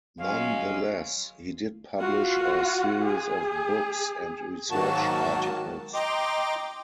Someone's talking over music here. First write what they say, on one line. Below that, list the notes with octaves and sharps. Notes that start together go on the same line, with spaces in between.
Nonetheless, he did publish a series of books and research articles.
F#3 G#3 C#4 F5
F4 F#4
G#4
G#2 D#3 F#3 A#3 F#4 A5
D#5 G5 A#5 C6 D6